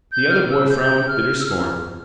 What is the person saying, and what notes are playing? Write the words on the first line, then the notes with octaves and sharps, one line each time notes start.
The other boy frowned with bitter scorn.
G6
F6
E6
G6
F6
E6
F6